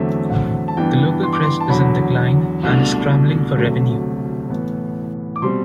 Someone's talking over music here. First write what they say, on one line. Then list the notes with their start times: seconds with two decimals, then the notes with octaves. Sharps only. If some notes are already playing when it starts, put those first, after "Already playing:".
The local press is in decline, and is scrabbling for revenue.
Already playing: E2 D3 F#3 A3 C4 E5
0.30 F#5
0.68 A5
0.77 G2 E3 B3 D4 G5
1.23 C6
1.33 D6
1.43 C6
1.61 A5
1.70 E2 D3 F#3 B5
2.63 C2 B2 A3 D4
3.56 D2 C3 F#3 A3
4.49 A2 E3 B3
5.36 D6
5.42 B2 G3 C4 C6